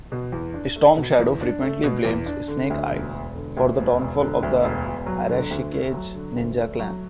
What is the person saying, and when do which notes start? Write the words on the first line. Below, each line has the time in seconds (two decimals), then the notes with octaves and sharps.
Storm Shadow frequently blames Snake Eyes for the downfall of the Arashikage ninja clan.
0.12 B2
0.32 E2
0.54 D4
0.76 A3
0.97 B2
1.19 E2
1.41 D4
1.62 A3
1.83 B2
2.05 E2
2.26 D4
2.48 D3
2.70 D2
2.91 E1
3.13 E1
3.35 D3
3.57 D2
3.78 E1
3.99 E1
4.21 D3
4.43 D2
4.64 E1
4.86 E1
5.06 F#3
5.29 D3
5.50 D2
5.72 A3
5.94 F#3
6.14 D3
6.36 D2
6.58 A3
6.79 F#3